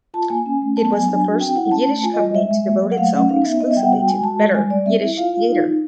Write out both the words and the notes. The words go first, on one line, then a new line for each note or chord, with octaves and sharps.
It was the first Yiddish company to devote itself exclusively to "better" Yiddish theater.
F4 A5
A#3 G#5
C#4
A3
B3 A5
F#3 G#5
D4 G#5
F#4
C4 G5
E4 F#5
C#4 A5
A3 A5
F4 G#5
D#5
G3
D#5
G#3 E5
G#3
A#3
F#3
F#5
A3 F5
C#4 F#5
D#4 F5
B3 E5
B3 D#5
E5
G3 G5
F#5
F#4 G5
G#3 G#5
F#4 A5
G#3
G3 G#5
G3 D5
C4 E5
E4
F4 F5
F4
D#4
D#4